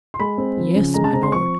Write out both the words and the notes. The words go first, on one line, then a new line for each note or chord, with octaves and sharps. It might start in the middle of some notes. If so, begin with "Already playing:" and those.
"Yes, my Lord!"
C6
G#3 B5
C4
F3
C#3
G#3 A#5
A5
C4 A#5
C6
F3 C#6